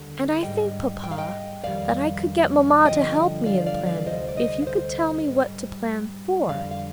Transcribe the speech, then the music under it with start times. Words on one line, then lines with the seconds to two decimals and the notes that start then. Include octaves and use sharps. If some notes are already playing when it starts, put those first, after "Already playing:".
And I think, papa, that I could get mamma to help me in planning, if you could tell me what to plan for.
Already playing: D#2 D3 G3
0.43 G#2 D#3 G3 D#5 G5
1.04 G5
1.11 F5
1.18 D#5 G5
1.64 F2 D#3 G3 D5 F5
2.85 G2 D3 F3 D#5 G5
3.46 D5 F5
3.66 D5 F5
3.86 D5 F5
4.06 D2 C3 G3 C5 D#5
4.28 D5
4.37 C5 D#5
4.62 F5
4.67 C5 D#5
5.28 G#2 G3
6.49 F2 D3 G3 D5 F5
6.71 F5